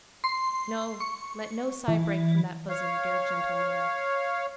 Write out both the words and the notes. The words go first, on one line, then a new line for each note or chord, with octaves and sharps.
No, let no sigh break from that bosom, dear gentle Mina.
C6
C#6
E3
C#5 F5